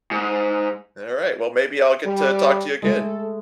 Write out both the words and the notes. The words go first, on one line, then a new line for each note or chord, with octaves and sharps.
Alright, well, maybe I'll get to talk to you again.
G#2
G3
G#3 A3 A4